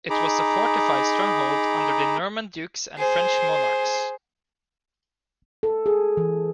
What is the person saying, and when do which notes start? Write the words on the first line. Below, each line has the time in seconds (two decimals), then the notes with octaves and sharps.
It was a fortified stronghold under the Norman dukes and French monarchs.
0.10 D#4 G#4 A#5 B5 D6
2.98 G#4 C5
5.63 A4
5.86 G#4
6.17 E3